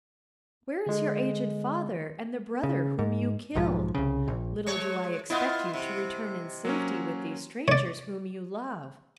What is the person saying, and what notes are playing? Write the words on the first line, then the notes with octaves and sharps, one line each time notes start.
Where is your aged father, and the brother whom you killed? Little do I expect you to return in safety with these strangers whom you love.
D3 G#3
C#3
G#2
B1 G#2 F3
C2 C#3
A#1
G#3 C#5
B3 E4 F4 D#5 F#5
C3
F#3 A#3 C#4
C#5 D5